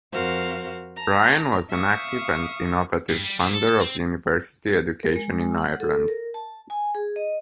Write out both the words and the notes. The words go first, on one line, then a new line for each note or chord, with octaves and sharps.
Ryan was an active and innovative funder of university education in Ireland.
F2 F#4 A#4 C5 F5
A5 A#5
E5 F5 C#6 D#6
G2
G3
A#2
A4
A4
C4
A#4
G#3
G#3
F#5
A4
A#4
A5
G#5
G#4
D#5